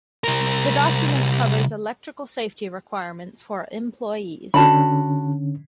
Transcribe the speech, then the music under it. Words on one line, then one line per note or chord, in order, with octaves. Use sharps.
The document covers electrical safety requirements for employees.
C2 A#4
D3 C#4 F#4 A5 B5